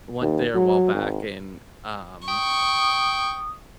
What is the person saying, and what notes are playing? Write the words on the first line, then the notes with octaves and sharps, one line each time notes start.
went there a while back, and, um,
D#2
F#3
G#1
G5 C#6 D#6